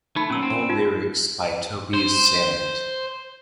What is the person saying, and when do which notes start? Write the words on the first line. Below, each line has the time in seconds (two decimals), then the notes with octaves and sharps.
All lyrics by Tobias Sammet.
0.16 A3 D#4 B5
0.30 A#2 F#3 C#4 E6
0.43 C4
0.69 D#4 F4
1.94 C5